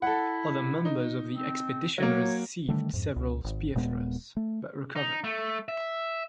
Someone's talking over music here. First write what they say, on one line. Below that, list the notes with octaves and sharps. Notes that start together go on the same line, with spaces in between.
Other members of the expedition received several spear thrusts, but recovered.
E4 A4 F#5
D#4
C4
F#3 A#3 C#5
D3 D#3 G3 A3
F2 G#2
C#2
G#1
D#1 A#2 G#3 B3
A3
D#4
A3
E5